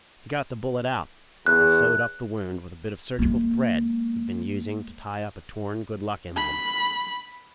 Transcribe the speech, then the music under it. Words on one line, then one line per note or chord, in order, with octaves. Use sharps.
He got the bullet out and sewed up the wound with a bit of surgical thread he'd been using to tie up a torn good-luck emblem.
E2 F#6
G#3 A#3
B5